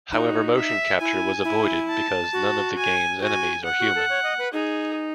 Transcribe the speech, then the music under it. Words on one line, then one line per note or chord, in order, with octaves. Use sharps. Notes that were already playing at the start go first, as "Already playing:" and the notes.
However, motion capture was avoided because none of game's enemies are human.
D#4 F#4
E5
E4 G#5
E4
A5
F#4
G#5
F#4 G#5
F#5
F#4
A4
C#5
D#5
B4
D#4 G#4